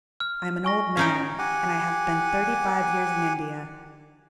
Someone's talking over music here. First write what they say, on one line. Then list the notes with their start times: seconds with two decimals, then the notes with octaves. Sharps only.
I am an old man, and I have been thirty-five years in India.
0.20 F6
0.64 G#5 C#6 A#6
0.97 C#4 D#4 G5
1.39 G4 F#5 G#5